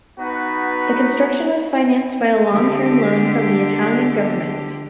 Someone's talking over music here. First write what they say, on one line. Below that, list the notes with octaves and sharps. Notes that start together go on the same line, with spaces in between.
The construction was financed by a long term loan from the Italian government.
B3 D#4 F#4 B4
D3 G4